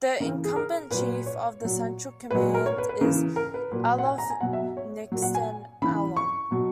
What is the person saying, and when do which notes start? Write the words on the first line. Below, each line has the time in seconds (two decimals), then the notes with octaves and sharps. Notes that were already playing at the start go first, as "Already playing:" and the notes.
The incumbent chief of Central Command is Aluf Nitzan Alon.
0.20 C#3 E3 A#4
0.45 G#4
0.56 A#4
0.91 A#2 F#3 B4
1.26 C#5
1.61 A#2 F#3
2.31 A#2 F#3 B4
2.54 A#4
2.66 C#5
2.78 B4
2.89 B4
3.01 C#3 E3 A#4
3.36 A#4
3.54 B4
3.72 A#2 F#3
3.98 F#5
4.06 G#5
4.18 A#5
4.30 G#5
4.41 B2 F#3 F#5
4.53 E5
4.77 C#5
5.12 A#2 F#3
5.22 F#5
5.35 G#5
5.82 C#3 E3 B5
6.17 C#6
6.51 B2 F#3